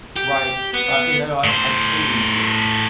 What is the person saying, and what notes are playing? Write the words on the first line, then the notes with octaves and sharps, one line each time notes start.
Right. Uh, you know, I I totally agree.
G4
B3
A2 C5